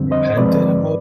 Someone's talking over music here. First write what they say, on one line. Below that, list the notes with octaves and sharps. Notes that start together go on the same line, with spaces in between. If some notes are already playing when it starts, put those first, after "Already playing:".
repentant about it
Already playing: F2 D3 G3 C4
C5 D#5
G#2 F3 G#3 C4 B4 D5